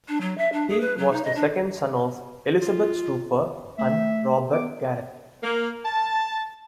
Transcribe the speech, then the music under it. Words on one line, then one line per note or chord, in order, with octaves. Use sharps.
He was the second son of Elizabeth Stouffer and Robert Garrett.
D4
F#3
E5
D4
G#4
B4
F#3
D#4
D#5
D4
F4
A3 E5
G4
B3 D6
A#3
A5